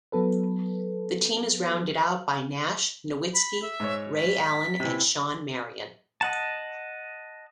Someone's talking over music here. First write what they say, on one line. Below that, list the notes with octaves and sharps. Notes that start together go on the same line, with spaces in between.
The team is rounded out by Nash, Nowitzki, Ray Allen, and Shawn Marion.
F#3 B3 A4 B4
B5
E5
G#2 C#5
B6
C3 E3
D#5 F#5 A5